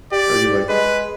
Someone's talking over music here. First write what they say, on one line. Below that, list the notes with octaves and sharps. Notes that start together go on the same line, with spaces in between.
Are you like
G4 D5
G#3 B4